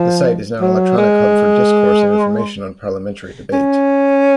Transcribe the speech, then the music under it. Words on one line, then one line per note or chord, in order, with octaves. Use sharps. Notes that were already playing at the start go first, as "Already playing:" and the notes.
The site is now an electronic hub for discourse and information on parliamentary debate.
Already playing: F3
F#3
G#3
C#4